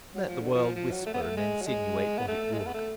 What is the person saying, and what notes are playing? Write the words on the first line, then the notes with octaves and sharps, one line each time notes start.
Let the world whisper and insinuate what it would.
F#3
F3
D3
F3
F3
F#3
A3
B3
A3
G#3
F#3
G#3
B3
A3
G#3
A3
B3
A3